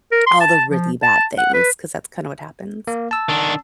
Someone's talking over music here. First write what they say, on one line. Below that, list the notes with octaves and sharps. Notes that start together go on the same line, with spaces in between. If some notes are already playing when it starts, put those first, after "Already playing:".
all the really bad things 'cause that's kinda what happens.
A#4
C6
A5
F3
A5
F#5
B4
A#3
A5 E6
D#3 D4